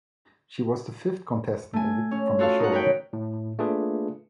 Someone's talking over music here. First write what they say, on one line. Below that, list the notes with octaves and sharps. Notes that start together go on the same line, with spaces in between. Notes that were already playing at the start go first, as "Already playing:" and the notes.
She was the fifth contestant evicted from the show.
A3 G#5
C#4
F4 F#4 A4 F5 C#6
D#4 F#5
A#4 B4 C#5 F#5 G5
A2
A3 A#3 D4 F4 G#4 B4